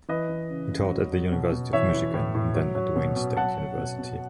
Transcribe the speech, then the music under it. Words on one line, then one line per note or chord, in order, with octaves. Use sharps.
He taught at the University of Michigan and then at Wayne State University.
E3 B4 D#5
E3
C#3
C#3
F#3
F#3
B2
B2
E3 C#5 E5
E3
A2
A2
F#3
F#3
B2
B2
F#3 F#5 A5
F#3
B2
B2